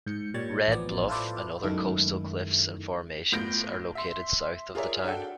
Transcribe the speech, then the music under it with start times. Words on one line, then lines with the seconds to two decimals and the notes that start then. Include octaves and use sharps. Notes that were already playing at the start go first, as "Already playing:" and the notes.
Red Bluff and other coastal cliffs and formations are located south of the town.
0.06 G#2 G6 C#7
0.34 A#2 G3 C#5 C#6 G#6 A6
0.68 A1 F3 B3 D5
1.08 E4 F4 A4 B4 C5 D5
1.63 F#2 D#3 G#3 A3 E4
3.32 A2 B3 F4 G6 A#6 D7
3.95 E5 C6
4.75 F4 G#4 A#4 C#5 D5 E5
5.04 D4 F#4 A4 G5